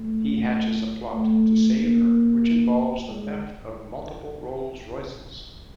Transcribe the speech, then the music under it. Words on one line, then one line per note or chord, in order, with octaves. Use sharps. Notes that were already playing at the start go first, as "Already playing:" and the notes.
He hatches a plot to save her which involves the theft of multiple Rolls-Royces.
Already playing: A3
A3
A#3
G#3